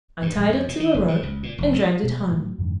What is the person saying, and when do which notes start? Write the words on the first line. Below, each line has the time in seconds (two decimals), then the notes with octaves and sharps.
'I tied it to a rope, and dragged it home.
0.22 G2
0.36 A#1
0.49 F2
0.68 A#2
0.80 D#3
0.94 F#1
1.08 G#2
1.23 C#2
1.43 A#2
1.58 F1
1.72 B1
2.04 B2
2.31 A2 F#3
2.58 F2 G#2 D3 D#3